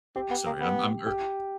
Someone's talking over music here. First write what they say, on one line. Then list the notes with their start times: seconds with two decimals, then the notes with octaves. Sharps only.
Sorry, I'm I'm ear
0.16 C4 G4
0.31 B3
0.46 A#3
0.61 B3
1.07 G4